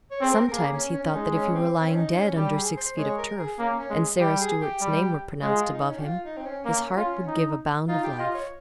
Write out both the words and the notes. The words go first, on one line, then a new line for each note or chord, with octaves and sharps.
Sometimes he thought that if he were lying dead under six feet of turf and Sara Stuart's name were pronounced above him, his heart would give a bound of life.
C#5
C4 G#4
A#4
A#4
A#3 G#4
C#4
C#4
C#4
G#3 D#4
C#4
C4
C4
C#4
D#4
C#4
G3 G4
G#4
C5
G#3 C#5
A#4
G#4
A#3 C#4
C#4
G#3
G3 G4
G#4
G4
G3
G#3 F4
F4
D#4
C#4
G4
F4
D#4
C4
C#4
A#3 C#4
F4
D#4
D#4 F4
G4
F4 D#5
C#5